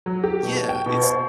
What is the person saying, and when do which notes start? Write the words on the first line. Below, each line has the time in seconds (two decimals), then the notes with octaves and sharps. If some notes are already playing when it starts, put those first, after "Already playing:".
Yeah, it's
0.06 F#3
0.24 G4
0.43 B2
0.69 G5
0.86 B2
1.03 C5